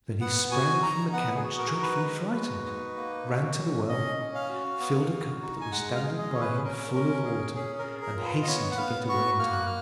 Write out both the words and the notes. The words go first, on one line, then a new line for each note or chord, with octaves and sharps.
Then he sprang from the couch dreadfully frightened, ran to the well, filled a cup that was standing by him full of water, and hastened to get away in time.
B3 F#5
F#4 G#5
D#4 A#5
B3 F#5
G#4
F#4
A#4
G#4
D#4 A#4
B4
G#3
F#4
D#4
A#3
F#4
C#4
C#4 D#5
C#4
F5
F#4
B3
F#4
D#4
G#5
G#3 F#5
F5
G#4
D#5
C#4 C#5
B4
G#4
C#4 A#4
C#4 A#4
G#4 A#4
C#4 G#4
A#4
G#4
A#4
F4
B4
D#5
B3 C#5
F#5
B3 F5
F#4 C#6
A#3 F6
F#6
F6